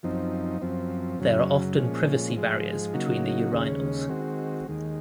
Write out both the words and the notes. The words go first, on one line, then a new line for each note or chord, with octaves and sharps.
There are often privacy barriers between the urinals.
F#2 F3 C4 D#4
F#2 F3 C4
F#2 C#3 F#3
A#2 F3 G#3 C#4
G#2 F3 G#3
C#3 F#3 A#3 D#4 F#4
D#2 C#3 G#3 C#4
D#3 G#3 C4 F#4
D#2 D#3 G#3